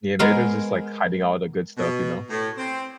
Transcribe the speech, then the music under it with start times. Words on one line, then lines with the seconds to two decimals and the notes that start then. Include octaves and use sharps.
Yeah, maybe they're just, like, hiding all the good stuff, you know?
0.19 G#3 B3 A#4 B4
1.78 B2
2.30 A2
2.58 C4